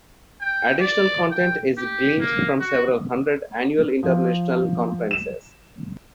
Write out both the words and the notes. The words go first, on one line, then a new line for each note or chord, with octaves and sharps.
Additional content is gleaned from several hundred annual international conferences.
G5
D5
G5
G4
A#3
F#4
F3
E7